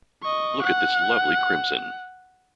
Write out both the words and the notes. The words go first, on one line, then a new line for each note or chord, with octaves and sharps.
Look at this lovely crimson!
D#5 C#6
F#5